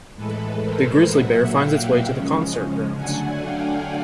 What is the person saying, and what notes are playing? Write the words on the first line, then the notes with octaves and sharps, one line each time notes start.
The grizzly bear finds its way to the concert grounds.
A2 E3 G#3 A4 B4
A#4 C5
A#2 F#3 A#3 E5 F#5
F5 G5
C#3 F3 G#3 C#4
D3 F#3 A3 D4 F#5 G#5
F5 G5